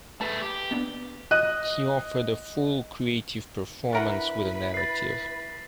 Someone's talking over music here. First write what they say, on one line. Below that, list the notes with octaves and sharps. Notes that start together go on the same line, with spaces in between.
He offered a full, creative performance with a narrative.
A3 G#4 B4 A5
G4
A#3 B3 D4
D#5 F#6 D#7
D4 E4 A#4 B4 E5 F#5 B5 C#6
A6 C7